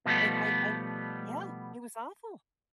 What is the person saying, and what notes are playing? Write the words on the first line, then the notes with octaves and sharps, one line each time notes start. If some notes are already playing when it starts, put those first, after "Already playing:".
And I I'm Yeah, it was awful.
B2 F3 G3 A3 B3